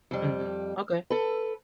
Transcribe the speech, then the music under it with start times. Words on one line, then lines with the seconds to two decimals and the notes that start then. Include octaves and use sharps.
Mhm. Okay.
0.11 F2 G3
1.10 A4 B4